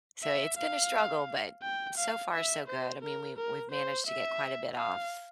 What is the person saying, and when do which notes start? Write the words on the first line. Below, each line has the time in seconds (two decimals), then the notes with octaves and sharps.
So, it's been a struggle, but so far so good, I mean, we we we've managed to get quite a bit off,
0.23 E5
0.58 F5
1.63 G5
1.98 F5
2.33 E5
2.68 C5
3.02 A#4
3.37 A#4
3.72 C5
4.07 E5
4.77 F5